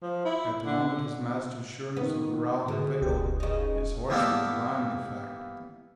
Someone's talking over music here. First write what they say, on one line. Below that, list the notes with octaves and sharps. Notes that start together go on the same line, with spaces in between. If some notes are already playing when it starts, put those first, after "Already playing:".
At the moment his master's sureness of the route had failed his horse had divined the fact.
F3
E4
D3
D#3 B3
B2 D3 G#4
E1 C#2 G4
C#3 D#4 D#5
E3 G3 A#3 B3 A4 D5